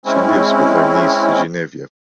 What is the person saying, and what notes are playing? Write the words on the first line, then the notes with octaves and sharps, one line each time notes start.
She lives with her niece Geneviève.
G#3 C4 C#4 E4